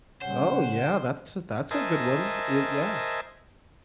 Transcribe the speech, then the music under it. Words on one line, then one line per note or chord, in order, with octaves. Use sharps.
Oh yeah, that's a that's a good one, eh Yeah,
C#3 G3 C#4 C5 F#5
A#4 C5 D#5 E5 G#5 A5